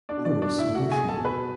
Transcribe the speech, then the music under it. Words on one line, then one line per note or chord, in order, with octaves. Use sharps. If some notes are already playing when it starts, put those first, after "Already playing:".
Horace Bushnell.
D4 D5
B2
D4 D5
D4 D5
E4 E5
A3
F#4 F#5
B2 G#4 G#5
A4 A5
B2
B4 B5